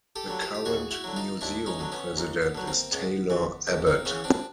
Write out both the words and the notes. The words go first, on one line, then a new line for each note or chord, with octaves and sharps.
The current museum president is Taylor Abbott.
G4 A4
D3 F#3
F4 G4
G4
D#2 F#4 G#4
E4 F#4
D3 F#3
D#4 F4
D#2 D4 E4
C#4 D#4
D3 F#3
B3 C#4
D#2 A#3
B3
D3 F#3
A#3 C4
C#2 B3
C#3 E3
C#2 B3
A#3 C4
C#3 E3 B3 C#4
C4 D4